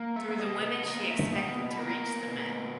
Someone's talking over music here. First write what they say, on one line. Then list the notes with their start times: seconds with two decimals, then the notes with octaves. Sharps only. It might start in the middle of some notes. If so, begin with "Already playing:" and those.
Through the women she expected to reach the men.
Already playing: A#3
0.16 E5
0.31 E5
0.40 B2 D#5
0.63 D#5
0.86 A#3 D#5
1.09 E5
1.32 B2 D#5
1.71 B4
1.79 A#3 A#4
2.26 B2